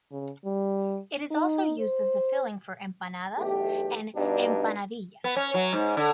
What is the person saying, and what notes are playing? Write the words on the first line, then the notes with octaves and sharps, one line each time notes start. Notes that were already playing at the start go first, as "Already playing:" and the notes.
It is also used as the filling for empanadas and "empanadillas".
C#3
G3
D#4
C5
B1 E2 A3 G4
G2 B2 G3 D4 D#4
B3
C#4
F#3
G#2
D3